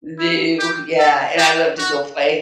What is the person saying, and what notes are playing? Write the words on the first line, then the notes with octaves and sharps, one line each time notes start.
Lou, yeah, and I loved to go play
E4
G4
A4
G4
F#4